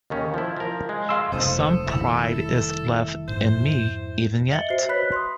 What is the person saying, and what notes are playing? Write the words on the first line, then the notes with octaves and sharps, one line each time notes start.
Some pride is left in me even yet.
D#2 D#3 C#4
F3 E4
F3 A#4
G#3
F5 C6 E6
F1 C#2 A4 C5 D#6
D#3 G3 E4 E5
F2 G#2 C5
D#5 E5 A6 C#7 F#7 G7
F#4 C5 E5 C7
B4 C#5 B5 F#6 B6
C6 D#6